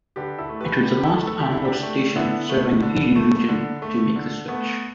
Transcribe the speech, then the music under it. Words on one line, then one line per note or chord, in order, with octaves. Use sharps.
It was the last analog station serving the Erie region to make the switch.
D3 G4 B4
E4 A4
A3
G4 B4
D3 G4 B4
G4
E4 A4
A3
A4
G4
D3 E4
D4 G4
A3
D3 B3 E4
A3
D3
A3
D3
A3
D3
A3 B3